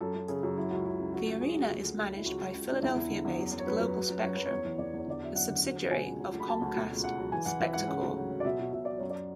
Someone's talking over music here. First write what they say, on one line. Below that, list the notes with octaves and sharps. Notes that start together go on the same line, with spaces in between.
The arena is managed by Philadelphia-based Global Spectrum, a subsidiary of Comcast Spectacor.
F#2 A4
F#2
C#3 G#4
F#2
F#3 E4
C#2 F#4
C#2 E4
C#2
F#3 F#4
C#2
C#2 G#4
F#3 F#4
D2 G#4
D2
D2
F#3 E4
C#2 F#4
C#2
C#2
C#2 D4
E2 E4
E2
D3
E2
F#2
F#2
C#5
F#2 B4
F#2
F#3
F#2
F#2 C#5
F#2 B4
C#5
E2
E3
E2 D5
E2 C#5
D3 D5
F#3 E5
F#2 F#5
D3
F#3
F#3
B2 G#5
C#2
F#3
D2
B5
F#3 A5
D2
B2
C#2
C#2 F#5
F#3
E3 G#5
E3 F#5
E3 E5
G#2 F#5
C#3 F#5
D2
F#3
F#3
D5
B2 E5
B2
B2 E5
F#3 D5
F#2 C#5
D5